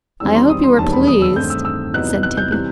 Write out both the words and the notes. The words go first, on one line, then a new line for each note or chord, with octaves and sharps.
"I hope you were pleased," said Tibby.
E2 D#3 G3 C4 E6
C6
D#6
C6
E1 D#2 D#3 G3 B3 A5
B5
D#6
E6
G2 D#3 A3 C4 G6
E6
E6
E2 C3 F#3 B3 D#4 F#6
F#6
G6
C3 E3 G3 F#6